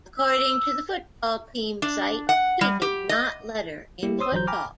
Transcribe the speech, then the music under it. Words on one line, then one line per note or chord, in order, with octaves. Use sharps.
According to the football team site, he did not letter in football.
E6
D4
F#5
G3
G4
D#5
G3 A#3 E4 G4
C5 C#5 C6 D#6 E6
G1 E3 F#3 C5 A#5 G6
G5 G#5 A#5 B5 D6 F6